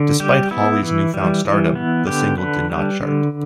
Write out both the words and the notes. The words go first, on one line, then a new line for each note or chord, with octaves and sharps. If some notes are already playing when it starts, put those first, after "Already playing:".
Despite Holly's newfound stardom, the single did not chart.
Already playing: D3
G3 G4
B3 E4
E3
G3
E3
B3
D3 G4
D3 B4
G3
D3